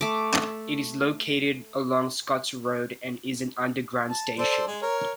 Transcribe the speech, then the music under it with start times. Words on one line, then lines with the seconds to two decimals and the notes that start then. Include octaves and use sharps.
It is located along Scotts Road and is an underground station.
0.01 A3 D6
4.09 A5
4.39 A4 C5 D5
4.67 G#3 G#4
4.82 A#4 C#5